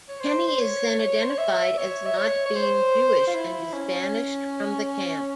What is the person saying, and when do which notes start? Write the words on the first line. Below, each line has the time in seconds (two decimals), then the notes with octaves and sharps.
Kenny is then identified as not being Jewish and is banished from the camp.
0.09 C#5
0.20 C5
0.48 C5
0.60 C#5
0.99 C#5
1.22 C5
1.30 C#5
1.38 E5
1.78 C#5
2.07 E5
2.17 C#5
2.46 C#5
2.56 C5
3.27 F4
3.35 E4
3.73 C#4